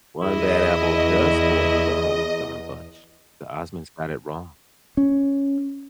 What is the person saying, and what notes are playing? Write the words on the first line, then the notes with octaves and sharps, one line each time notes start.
One bad apple does spoil the whole darn bunch. The Osmonds got it wrong.
E2 E4 G#4 D#5
C#4